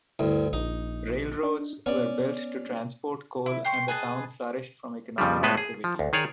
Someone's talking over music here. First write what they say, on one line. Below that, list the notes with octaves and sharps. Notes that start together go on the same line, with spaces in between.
Railroads were built to transport the coal and the town flourished from economic activity.
D2 G2 E4
A#1 D#4
D4
B3 C#4 D5
E4
C5 G5 C6 C#6
G#4 B4 D#5 A5
F2 C#3 F3 G3
A2 G#3 B3 B4 C5
G#4
F3
D2
D#3 G#4 C#5 D5